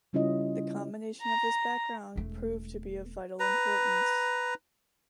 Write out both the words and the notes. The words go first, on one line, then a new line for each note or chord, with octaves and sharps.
The combination of this background proved to be of vital importance.
C#3 G3 C#4 E4 F4 D#5
A#5
E1 A3
B4 A#5